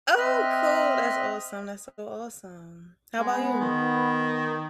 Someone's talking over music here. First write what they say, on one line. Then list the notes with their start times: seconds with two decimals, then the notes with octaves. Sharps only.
Oh, cool! That's awesome, that's so awesome. How 'bout you?
0.17 C4 D#5 E5 F6 F#6
3.19 G#3 B3
3.60 D#3